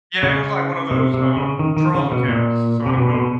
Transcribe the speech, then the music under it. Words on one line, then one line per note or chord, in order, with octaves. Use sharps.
Yeah, it was like one of those, um, troll accounts, so I don't know
C#3
C3
C3
C#3
D#3
D#3
C#3
B2
A#2
C3
B2
B2